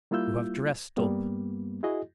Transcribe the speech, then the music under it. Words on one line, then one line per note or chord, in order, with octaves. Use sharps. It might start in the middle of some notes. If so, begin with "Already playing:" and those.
You have dressed up.
G3 A#3 E4 F4 E6 G6
G2 G3 A#3 B3
E4 F#4 G#4 D#5